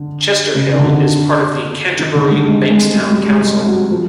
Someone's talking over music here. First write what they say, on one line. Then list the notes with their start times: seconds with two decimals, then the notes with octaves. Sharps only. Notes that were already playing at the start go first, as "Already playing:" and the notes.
Chester Hill is part of the Canterbury-Bankstown Council.
Already playing: D3
0.55 C#3
0.74 D#3
0.79 D3
1.99 D#3
2.15 D3
2.31 G3
2.47 G#3
2.70 G#3
2.94 G3
3.11 G3
3.26 G#3
3.42 G3
3.66 F#3
3.91 F3